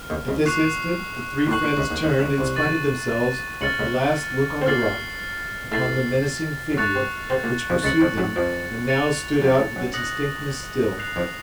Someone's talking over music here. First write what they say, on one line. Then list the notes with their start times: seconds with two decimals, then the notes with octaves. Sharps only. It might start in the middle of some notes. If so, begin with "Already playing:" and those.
At this instant the three friends turned, in spite of themselves, a last look on the rock, upon the menacing figure which pursued them and now stood out with a distinctness still.
Already playing: F6
0.10 D#2 D#3
0.28 C#2 C#3
0.46 A#2 C#6 F#6 C7 F7
1.47 A#2
1.51 A2 C#6 F#6 C7 F#7
1.63 A#2
1.77 C#2 C#3
1.90 D#2 D#3
2.04 D#2 D#3
2.20 C#2 C#3
2.38 C2 C3
2.56 C#6 A6 D#7 F#7
3.61 C#2 C#3 F6 A6 C#7 F#7
3.79 C#2 C#3
4.61 C4
4.66 A#2 A#3 F6 A6 C7 F#7
5.72 A2 A3 F6 A6 C7 F#7
6.72 F#3
6.77 A2 A3 C#6 F#6 A6 C#7 F7
6.95 C3 C4
7.30 C3 C4
7.44 A#2 A#3
7.70 F2 F3
7.83 C#2 C#3 A6 C#7 F#7
8.01 F2 F3
8.17 F#2 F#3
8.36 F2 F3
8.88 A6 C#7 F7
9.41 F#2 F#3
9.58 A2 A3
9.76 F#2 F#3
9.94 D#6 F#6 A#6 C#7 F#7
10.99 F#6 C7 F7
11.16 F2 F3